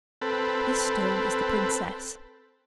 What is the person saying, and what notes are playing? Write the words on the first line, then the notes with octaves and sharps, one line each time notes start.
This stone is the princess.
C4 A4 B4